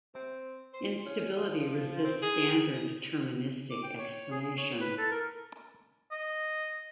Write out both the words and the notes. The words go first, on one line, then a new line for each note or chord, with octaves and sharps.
Instability resists standard deterministic explanation.
C4
C5
C#4
F3
C4
G#4
D6
G5
C#5
G#4
G#4
C#5
B4
A4
A#4
D#5